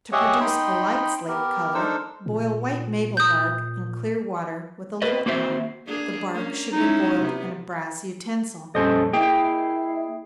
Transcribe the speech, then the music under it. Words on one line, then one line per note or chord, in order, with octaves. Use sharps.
To produce a light slate color, boil white maple bark in clear water, with a little alum--the bark should be boiled in a brass utensil.
G4 G#4 C#5 D#5 E5 F#5
D#4 D#5 G5 B5 C6
B3 G4 A#4
D4 D#4 A4 A#4 C5 E6
A#2
D#6 G6
B4 D#5
A#3 C4 F#4 C5 E5
A#3 D4 G#4
A#3 C#4
G#3 C#4 D#4 E4
C3 B3
F2 A#2 G3 C#4 A4 C5 D#5
A#3 E4 G#4 D#5 G5 C7